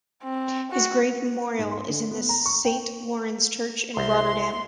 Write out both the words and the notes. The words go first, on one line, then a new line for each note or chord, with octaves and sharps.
His grave memorial is in the Saint Laurens Church in Rotterdam.
C4
F#4
G#2
C6
D3
B3
A#5
C#6
G5
C2 C6